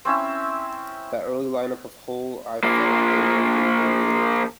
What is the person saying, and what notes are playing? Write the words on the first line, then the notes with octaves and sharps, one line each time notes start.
That early lineup of Hole-I felt they were the real deal.
C4 C#4 E4 E5
F3 A#3